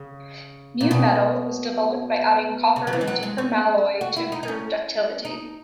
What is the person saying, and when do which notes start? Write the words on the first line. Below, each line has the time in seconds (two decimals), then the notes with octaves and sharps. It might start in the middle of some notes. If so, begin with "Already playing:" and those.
Mu-metal was developed by adding copper to permalloy to improve ductility.
Already playing: C#3
0.81 A#2
0.91 B2
2.76 C#3
2.87 F#3
2.93 E3
3.01 G#3
3.07 F#3
3.23 G#3
3.38 C#4
4.01 F#4
4.16 E4
4.32 D#4
4.43 D#4
4.48 C#4
5.25 D#4